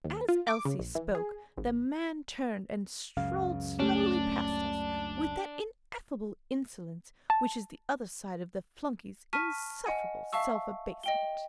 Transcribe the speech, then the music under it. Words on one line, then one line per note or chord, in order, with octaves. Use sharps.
As Elsie spoke, the man turned, and strolled slowly past us, with that ineffable insolence which is the other side of the flunkey's insufferable self-abasement.
D#2
F4
D6
C#3
A#1
E3
G#4
G#1
C#2 F#2 C#3 F5
A3 C#4 D4
A5
A5 C#6 F6 B6 D#7
D#5 F#5 G#5
E5 F5 A5 C#6 E6
D#5 G5 G7